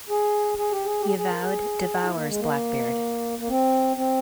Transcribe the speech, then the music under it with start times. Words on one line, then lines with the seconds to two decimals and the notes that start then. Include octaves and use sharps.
Yevaud devours Blackbeard.
0.09 G#4
0.58 G#4
0.71 G4
0.85 G#4
1.01 G4
1.06 G#4
1.18 G#4
1.30 A#4
1.43 G#4
2.03 E4
2.15 A#3
2.27 G#3
2.39 A#3
3.39 A#3
3.49 C4
3.97 C4